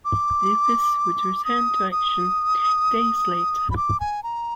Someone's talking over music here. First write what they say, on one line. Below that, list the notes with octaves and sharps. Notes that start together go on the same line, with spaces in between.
Dupuis would return to action days later.
D6
D#6
D#6
B5
D6
G#5
A#5